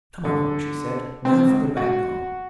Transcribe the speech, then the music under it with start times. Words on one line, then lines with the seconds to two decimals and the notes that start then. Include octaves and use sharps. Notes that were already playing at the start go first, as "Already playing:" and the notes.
"Come along," she said; "now for the back garden."
0.25 D3
1.25 C4
1.47 C#2
1.77 F#4